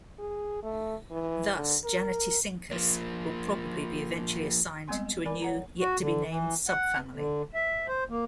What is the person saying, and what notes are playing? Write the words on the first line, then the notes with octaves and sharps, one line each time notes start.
Thus, "Janetaescincus" will probably be eventually assigned to a new, yet-to-be-named subfamily.
G#4
A3
E3
D3
A#4
F3 A#3
G3 G#3 B3 C4 G#5 C6
A#4 D5 G#5 B5 D6
C#5 F#5 A#5
F#4
D3
E3
F#5
D3
E5
C5
A#3